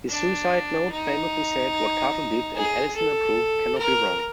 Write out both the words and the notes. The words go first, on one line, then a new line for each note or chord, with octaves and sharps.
His suicide note famously said: What Cato did, and Addison approved, cannot be wrong.
D4
D#4
G#4
A4
A#4